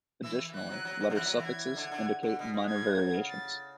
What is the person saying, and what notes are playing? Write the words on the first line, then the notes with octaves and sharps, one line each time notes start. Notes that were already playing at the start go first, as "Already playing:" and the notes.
Additionally, letter suffixes indicate minor variations.
E3 E6
E3
E3 F#6
F#3
F#3
F#3
D3
E3 F#6
F#3
E3
G#6
D3
D3
D3
B2
B2
B2 G#6
A2
G#2
C#3
A6